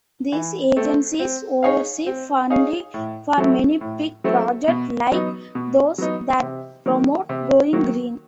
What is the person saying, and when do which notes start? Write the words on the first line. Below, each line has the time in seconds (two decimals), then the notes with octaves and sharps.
These agencies oversee funding for many big projects like those that promote going green.
0.32 E3
0.76 A3 C4
1.20 C4
1.63 D#4 G#4 C#5 F5
2.06 C4
2.50 D#4 G#4 C#5 F5
2.94 A2
3.38 F#3 A3 C4 E4
3.81 A2
4.24 F#3 A3 C4 E4
4.68 B2
5.12 F#3 B3 D#4
5.55 B2
5.98 F#3 B3 D#4
6.42 C3
6.86 D#3 F#3 A#3
7.29 C3
7.73 D#3 F#3 A#3